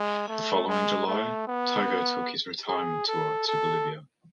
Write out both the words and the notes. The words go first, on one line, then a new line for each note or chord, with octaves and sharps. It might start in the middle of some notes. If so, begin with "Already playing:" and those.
The following July, Togo took his retirement tour to Bolivia.
Already playing: G#3
A3
G#3
A3
B3
G#4
A4
A4